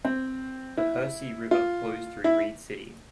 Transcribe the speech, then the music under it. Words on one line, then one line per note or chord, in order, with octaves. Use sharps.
The Hersey River flows through Reed City.
C4
E4
F4
E4